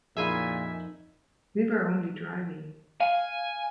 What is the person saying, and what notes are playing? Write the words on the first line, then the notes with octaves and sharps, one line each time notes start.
We were only driving.
F2 A#2 D#4 E4 G#4 E5 G#5 A5
F5 G#5